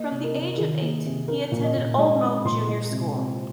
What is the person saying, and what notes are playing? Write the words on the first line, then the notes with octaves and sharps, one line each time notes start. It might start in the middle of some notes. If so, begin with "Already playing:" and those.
From the age of eight he attended Old Moat Junior school.
Already playing: A#3 D#5
C3
A#4
C3
D#3 G#4
A#3
C3
C4 A#4
A#2
D#5
A#2
G#3 D#5
C4 D#6
A#2 C6
G#3
C3
C4